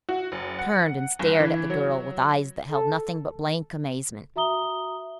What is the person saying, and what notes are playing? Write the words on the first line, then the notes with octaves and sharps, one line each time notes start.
He turned, and stared at the girl with eyes that held nothing but blank amazement.
F#4
F#1
F#5
G1
E3
F#3
A4
F#4 E5 A#5 D#6 G7